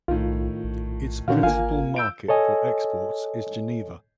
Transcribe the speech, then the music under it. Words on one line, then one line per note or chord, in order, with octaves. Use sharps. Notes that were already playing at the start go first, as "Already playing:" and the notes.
Its principal market for exports is Geneva.
B1 A2 D#3 F4
A#1
A#2 D3 D#3 C#4 F#4 F5
G#1 A#3 F4 F5 G#5
E6 G6 D7
A4 C#5 D#5 G#5